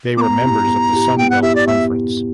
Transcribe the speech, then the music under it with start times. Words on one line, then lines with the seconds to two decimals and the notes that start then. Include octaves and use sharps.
They were members of the Sun Belt Conference.
0.17 B3 A#5 D6
0.42 E4 G4
0.67 B3
0.93 E4 G4
1.17 B3 G5
1.30 F#5
1.42 E4 G4 E5
1.55 D5
1.67 B3 E5